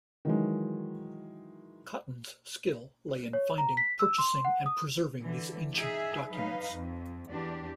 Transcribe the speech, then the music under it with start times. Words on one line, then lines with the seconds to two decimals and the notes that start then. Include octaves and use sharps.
Cotton's skill lay in finding, purchasing and preserving these ancient documents.
0.25 D#3 E3 F#3 G#3
3.33 C#5
3.58 A#5
3.77 B6
3.99 E6
4.18 C6
4.45 F#5
4.66 D#6
5.21 D3 E3
5.74 D#4 G#4 E5
6.29 F#3 D#4 B4 F5
6.72 F2
7.29 E2 D4 G4